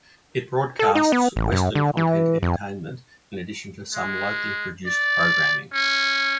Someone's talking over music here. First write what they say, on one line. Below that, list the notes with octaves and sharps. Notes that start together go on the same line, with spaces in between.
It broadcasts Western content entertainment in addition to some locally produced programming.
A4
D#4
B3
A1
F#2
D3
E3
F2
G#3
D5
C#4